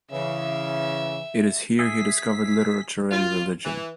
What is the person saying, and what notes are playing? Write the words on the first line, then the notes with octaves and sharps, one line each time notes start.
It is here he discovered literature and religion.
C#3 E3 E5
G#4 E5 B6
F4
E3